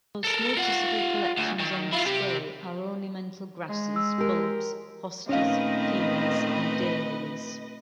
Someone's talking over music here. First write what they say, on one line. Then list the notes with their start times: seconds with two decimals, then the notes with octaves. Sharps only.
The most notable collections on display are ornamental grasses, bulbs, hostas, peonies and daylilies.
0.24 A4 A#4
0.57 F4 F#5
1.38 D2
1.60 D#3
1.93 E4 F4
2.06 C3 G4
3.69 G#3
3.96 E6
4.18 G4 A#4
5.29 A#2 D#3 A3 C4 C#4 B4 D#5 F5